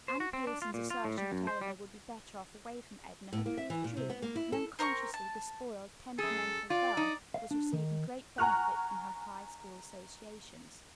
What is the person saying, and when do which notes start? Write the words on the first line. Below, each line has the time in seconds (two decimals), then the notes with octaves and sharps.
Anne Pierson's assertion that Eleanor would be better off away from Edna had proved true, and unconsciously the spoiled, temperamental girl was receiving great benefit from her High School associations.
0.08 C5
0.20 F#4
0.33 C4
0.47 D4
0.62 F4
0.74 A#2
0.90 F4
1.05 A2
1.18 G3
1.32 F#2
1.47 C5
1.61 G3
3.33 A2
3.46 A#3
3.58 E5
3.70 E3
3.84 A#2
3.97 C3
4.10 B3
4.22 A#3
4.36 E4
4.52 A4
4.79 C4 A#4 A#5 C#6
5.14 A5
6.18 F#2 G#4 A4
6.70 F4 D5
6.97 D#4
7.34 F5
7.51 D4
7.73 D#3
8.38 F#5 G#5 A#5 C#6 F6 F#6